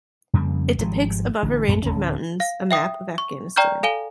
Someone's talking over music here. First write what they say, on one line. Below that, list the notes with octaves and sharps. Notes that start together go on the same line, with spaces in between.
It depicts above a range of mountains a map of Afghanistan.
F2 C#3 G3 A#3
G#1 F3 G3 G#3
A1 D3
A#1 F#2 B3
D1 G#1 D3 C#4
F5
E5 G5 D#6
C#6
D5 G5 A#5 C#6 F6 G6
A4 F5 G#5 D#7 G7